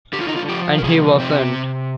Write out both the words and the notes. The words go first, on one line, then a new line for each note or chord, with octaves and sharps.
And he wasn't.
D3 G4
F4
D#4
F4
F3 G4
A#4
C3 G#4
C3 C4